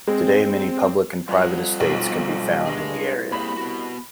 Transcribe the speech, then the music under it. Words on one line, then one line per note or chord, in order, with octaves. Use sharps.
Today many public and private estates can be found in the area.
G#3 C4
F2 G3 F#5
B1
G2 G#4 D#5
C2
A#3 C4 G#4 B5
B3 F#4